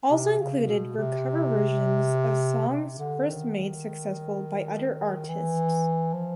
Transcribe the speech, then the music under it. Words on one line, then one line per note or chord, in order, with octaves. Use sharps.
Also included were cover versions of songs first made successful by other artists.
C3
C#3
B2
C3
C3
D3
D#3
E3
F3